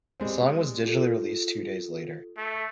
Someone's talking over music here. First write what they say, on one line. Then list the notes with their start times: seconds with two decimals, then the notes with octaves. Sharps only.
The song was digitally released two days later.
0.20 G3 G#3 C4
0.84 F4 A4
2.37 A3